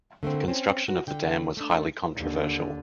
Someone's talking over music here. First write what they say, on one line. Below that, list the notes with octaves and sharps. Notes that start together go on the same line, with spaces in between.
The construction of the dam was highly controversial.
D3 A3 A#3 C4
C4 C#4
F#4
D3 G5
A3 D4
D#2 D3